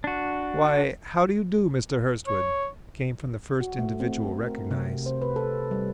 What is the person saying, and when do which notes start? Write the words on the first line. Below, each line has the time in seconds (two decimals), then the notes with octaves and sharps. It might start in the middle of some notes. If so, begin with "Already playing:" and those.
"Why, how do you do, Mr. Hurstwood?" came from the first individual recognised.
0.04 D4 F#4
2.27 C#5
3.61 F#4
3.79 A3
4.00 C4
4.47 A#4
4.71 C3
5.06 C5
5.21 B4
5.36 A4
5.71 G3